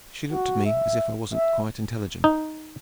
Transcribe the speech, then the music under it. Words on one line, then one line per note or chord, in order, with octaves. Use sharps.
She looked at me as if I wasn't quite intelligent.
F#4
E5
E5
D#4